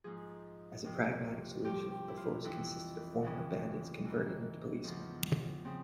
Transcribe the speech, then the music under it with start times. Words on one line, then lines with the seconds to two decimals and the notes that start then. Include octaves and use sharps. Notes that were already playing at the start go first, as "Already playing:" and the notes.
As a pragmatic solution, the force consisted of former bandits converted into policemen.
0.04 G#2 F3 G#4
0.85 F2 C3 F3
1.64 G2 F3 G4
1.91 G4
2.08 E4
2.17 F4
2.44 F2 E3 E4
3.23 F2 C#3 E3 C#4
4.05 G#2 E3
4.84 E2 C#3 F3
5.65 C#3 F3 C4